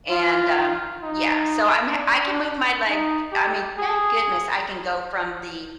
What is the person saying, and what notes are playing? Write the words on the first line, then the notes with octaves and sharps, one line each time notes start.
And, um, yeah, so I'm ha I can move my leg I mean, thank goodness I can go from the,
F4
D#4
D4
D#4
G4
G#4